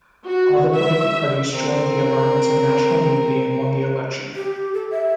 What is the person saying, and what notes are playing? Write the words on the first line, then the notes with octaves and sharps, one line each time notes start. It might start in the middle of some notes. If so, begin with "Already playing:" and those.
All the Political Parties joined the alliance of national unity and won the election.
F#4
E5
C4 A#4
G4
A4
E5